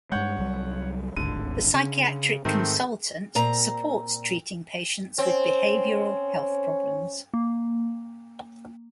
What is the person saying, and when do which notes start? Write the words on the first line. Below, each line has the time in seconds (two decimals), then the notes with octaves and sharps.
The psychiatric consultant supports treating patients with behavioral health problems.
0.12 G2 G#3 C#5 F#5 G6
0.38 C2 F#3 G3
1.17 D1 G#1 D#2 D3 D#7
1.74 C#3
2.45 G#2 D#3 A3 C4
3.35 A#2 C4 A#5
5.18 C4 C#4
7.34 A#3